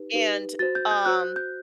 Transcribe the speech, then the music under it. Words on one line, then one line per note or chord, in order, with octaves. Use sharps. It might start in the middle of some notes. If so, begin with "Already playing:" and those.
and, um,
Already playing: D#4 G4 B4
D#4 G4 B4
F#4 C5 A6
G6
G6
F#4 C5 F#6
G6